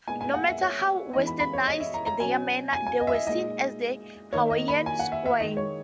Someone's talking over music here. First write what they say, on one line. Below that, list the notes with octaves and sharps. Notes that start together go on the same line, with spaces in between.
No matter how Westernized their manners, they were seen as a Hawaiian squaw.
A#2 G#3 B3 D#4 G#5
G#5
F#5
E5
C#5
E3 G#3 B3 D#4 D#5
B5
B5
C#5
D#5
E5
A#5
A#5
B2 F#3 C#4 G#5
G#5
G#5
D#5
E5
D#5
A#2 G#3 D#4 D#5
D#3 A#3 D#4 C#5
D#5
B5
G#5
F#5
E5
E5
D#3 G#3 D#4 D#5
C#5